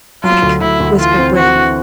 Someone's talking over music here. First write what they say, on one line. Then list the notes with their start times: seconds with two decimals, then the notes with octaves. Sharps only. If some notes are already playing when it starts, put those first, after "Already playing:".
"Quick!" whispered Braith.
0.24 F#3 F4
0.42 D2
0.61 D2 E4
0.80 D2
0.99 E3 F4
1.18 C4
1.36 C4 F#4
1.55 E3